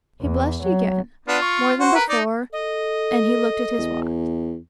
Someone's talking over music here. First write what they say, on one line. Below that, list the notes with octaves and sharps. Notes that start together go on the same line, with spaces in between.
He blushed again, more than before, and he looked at his watch.
E2
F#3
B3 D4 F4
C#6
F#4 C5
A#4 B4
D#4 D5
A4 D#5
E2